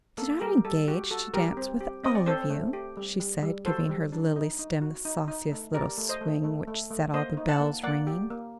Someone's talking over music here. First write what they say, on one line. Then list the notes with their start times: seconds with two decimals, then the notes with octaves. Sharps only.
"Did I engage to dance with all of you?" she said, giving her lily stem the sauciest little swing, which set all the bells ringing.
0.18 A#3 A4
0.41 G3 G4 A#4
0.65 G3 A4
0.88 F#4 G4
1.11 F#4 A4
1.34 G3 G4 A#4
1.57 C4
1.81 G4
2.03 C4 D#5
2.15 D5
2.26 C4 A4 C5
2.50 A3
2.73 G4
2.97 G3
3.20 G3
3.43 G3
3.66 F#4 A4 C5
3.89 G3
4.12 D4
4.36 D#4
4.59 D#4
4.82 F#4
5.05 D#4
5.28 D#4
5.52 A3
5.74 G4 A#4 D5
5.98 A3
6.09 C5 D#5
6.21 A3
6.44 A3
6.68 A3
6.91 A3
7.14 A#3 C5 D#5
7.37 D#4
7.48 F#5 A5
7.60 A#3
7.84 A#3 D5 F#5
8.07 G4
8.30 A#3